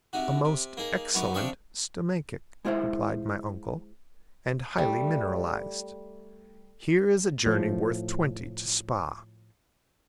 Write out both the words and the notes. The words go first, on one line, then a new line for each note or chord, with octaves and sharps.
"A most excellent stomachic," replied my uncle, "and highly mineralized. Here is a journey worth twenty to Spa."
C3 D#4 F#4
C3
A#3 D#4 G#4
F#2 B3 D#4 C#6 D6
C3 F3 D4 G5 C#6 D#6
G#3 E4 F4 C5 E5
G3 A3
A2 F3